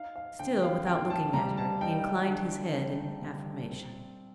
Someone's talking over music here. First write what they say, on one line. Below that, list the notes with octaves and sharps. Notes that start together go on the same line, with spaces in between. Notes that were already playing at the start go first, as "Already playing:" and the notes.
Still without looking at her, he inclined his head in affirmation.
Already playing: D#4 F5
F5
D3 G5
F5
C4 G5
A5
G3 A#5
A5
D#4 G5
D3
C4
G3
C4